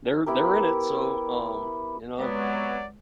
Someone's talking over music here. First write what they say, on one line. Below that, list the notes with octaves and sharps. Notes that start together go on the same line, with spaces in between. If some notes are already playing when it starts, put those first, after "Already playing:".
they're they're in it. So, um, you know?
B3 E4 G4 A#4
C3 F#3 G#3 B3 B4 C#5 D5